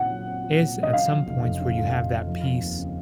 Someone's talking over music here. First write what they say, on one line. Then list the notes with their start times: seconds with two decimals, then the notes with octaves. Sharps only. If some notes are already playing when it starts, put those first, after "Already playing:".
is at some points where you have that peace,
Already playing: A#2 C4 F4 F#5
0.10 F#3
0.27 C4
0.44 F4
0.60 A#2
0.77 F#3
0.83 D#5
0.93 C#3 F5
1.11 F3
1.27 F1
1.44 F2
1.61 C#3
1.78 F3
1.94 F1
2.10 F2
2.27 F3
2.44 C4
2.61 D#2
2.78 C#3